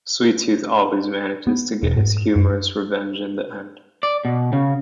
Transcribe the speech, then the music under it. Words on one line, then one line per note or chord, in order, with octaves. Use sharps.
Sweet Tooth always manages to get his humorous revenge in the end.
B3
E1
G#2
F#2
D5
B2
C#3